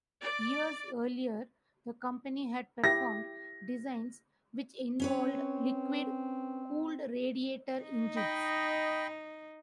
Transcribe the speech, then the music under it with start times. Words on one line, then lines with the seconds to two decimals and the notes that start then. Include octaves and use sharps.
Years earlier, the company had performed designs which involved liquid-cooled radiator engines.
0.21 D5
2.84 E4 G4 A#6
5.00 C4 C#4 B4 C#5
7.83 D#4
8.16 D#5 G5 B5